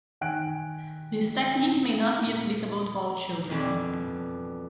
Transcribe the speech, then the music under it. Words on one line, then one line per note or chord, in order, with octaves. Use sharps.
This technique may not be applicable to all children.
D#3 G5 G#5 F#6 D7
F2 B2 E3 G3 D4 B5